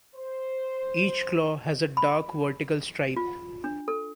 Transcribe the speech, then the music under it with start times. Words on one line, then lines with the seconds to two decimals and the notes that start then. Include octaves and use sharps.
Each claw has a dark vertical stripe.
0.15 C5
1.97 B5
3.16 F4
3.64 D4
3.88 A4